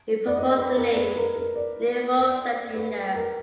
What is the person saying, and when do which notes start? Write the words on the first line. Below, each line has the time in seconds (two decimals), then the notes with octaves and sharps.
He proposed the name "Nuevo Santander".
0.27 D5
0.37 D#5
0.57 B4
0.77 A#4
0.92 D5
0.96 B4
1.16 A#4
1.36 A#4
1.56 D5
2.74 B4
3.14 A#4